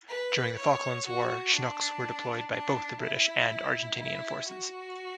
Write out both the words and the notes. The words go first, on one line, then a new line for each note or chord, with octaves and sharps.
During the Falklands War, Chinooks were deployed by both the British and Argentinian forces.
B4
C#5
F#4
D4
D4
E4
E4
F#4